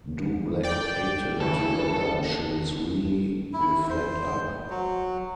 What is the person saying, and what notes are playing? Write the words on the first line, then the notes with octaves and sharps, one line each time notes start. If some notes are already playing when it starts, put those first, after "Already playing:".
Do Black Patent Leather Shoes Really Reflect Up?
D5 G5
C#3 E3 A4
E4
C5
F#3